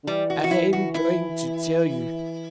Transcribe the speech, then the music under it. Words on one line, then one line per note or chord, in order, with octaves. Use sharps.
I am going to tell you.
D3
E3 G3
F#4
F#4
E4
F#4
E4